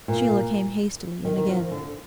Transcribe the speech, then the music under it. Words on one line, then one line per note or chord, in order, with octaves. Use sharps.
Sheila came hastily in again.
A#2
D#3
D#3
F3
D3